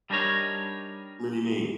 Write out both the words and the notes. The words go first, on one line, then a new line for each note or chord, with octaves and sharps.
What do you mean?
G3 D4 D#4 A#4 C#5